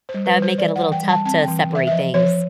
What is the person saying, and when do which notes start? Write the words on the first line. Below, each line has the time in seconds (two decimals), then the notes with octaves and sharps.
that would make it a little tough to separate things.
0.09 C5
0.14 G3
0.26 B4
0.37 G3
0.42 C5
0.58 E3 D5
0.76 F#5
0.81 E3
0.92 G5
1.03 G3
1.09 A5
1.25 C4 A5
1.42 G5
1.48 E3
1.59 G5
1.70 E3 E5
1.87 E5
1.91 F3 D#5
2.14 F3 C#5